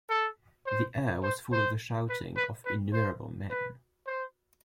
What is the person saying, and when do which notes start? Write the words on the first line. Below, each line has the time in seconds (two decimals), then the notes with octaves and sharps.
The air was full of the shouting of innumerable men.
0.09 A4
0.66 C5
1.23 C5
1.52 C5
2.09 B4
2.36 B4
2.65 B4
2.93 C5
3.50 B4
4.06 C5